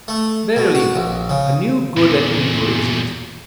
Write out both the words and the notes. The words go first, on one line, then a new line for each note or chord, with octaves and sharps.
Verily, a new good and evil is it!
A3
B2
F#4
A#1
C#3
E2 A#2